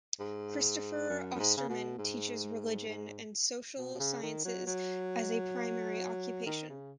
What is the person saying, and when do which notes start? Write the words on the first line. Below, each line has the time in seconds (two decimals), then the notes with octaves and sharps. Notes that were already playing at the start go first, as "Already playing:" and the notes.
Kristoffer Osterman teaches religion and social sciences as a primary occupation.
0.20 G#2
1.09 F#2
1.35 F#2
1.39 G#2
1.57 C#3
1.69 B2
1.98 G#2
2.88 G#2
3.78 B2
3.94 B2
4.00 C#3
4.23 D#3
4.45 F#3
4.67 F#3
6.46 D#3
6.69 C#3